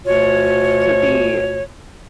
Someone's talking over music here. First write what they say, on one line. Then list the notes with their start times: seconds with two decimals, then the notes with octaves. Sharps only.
to be
0.05 D2 B2 F4 C#5